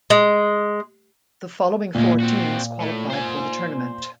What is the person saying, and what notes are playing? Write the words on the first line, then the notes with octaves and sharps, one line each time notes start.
The following four teams qualified for the tournament.
G#3
D2 A#2 G#3
C4 F#4
A2
C5 G#5